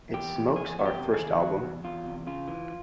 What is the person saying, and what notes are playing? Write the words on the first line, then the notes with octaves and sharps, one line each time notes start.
It smokes our first album.
E2 G4
E2
E2 G#4
E2 F#4
G4
C3
G#4
D#3
D#3 F#4
E2
E2 F4
C3
C#3 F4
E3